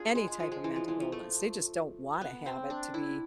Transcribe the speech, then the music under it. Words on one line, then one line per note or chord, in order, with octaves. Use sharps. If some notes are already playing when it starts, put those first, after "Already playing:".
any type of mental illness, they just don't wanna have it to be,
Already playing: D4 F4 G#4
G#3
G#3
F3
G#3
E3
F3
E3
F3
A3
B3
C4
D4
E4